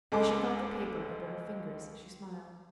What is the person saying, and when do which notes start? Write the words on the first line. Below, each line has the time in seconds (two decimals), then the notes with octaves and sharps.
As she felt the paper under her fingers she smiled.
0.12 C#2 G#3 A4 D6